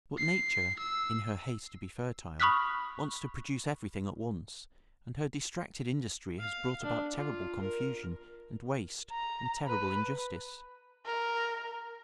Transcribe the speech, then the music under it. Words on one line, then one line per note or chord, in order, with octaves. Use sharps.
But nature, in her haste to be fertile, wants to produce everything at once, and her distracted industry has brought about terrible confusion and waste and terrible injustice.
C7
E6
B5 C#6 D#6 F6 F#6 B6
F5
D4
F4
A#4
A#5
B4
A#4